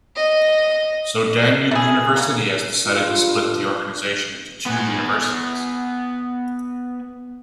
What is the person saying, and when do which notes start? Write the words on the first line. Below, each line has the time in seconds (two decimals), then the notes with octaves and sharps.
So Danube University has decided to split the organisation into two universities.
0.16 D#5
1.71 A3 E4 G#4
2.16 C#3 F#3
2.85 G2 F4
4.66 B3 G#5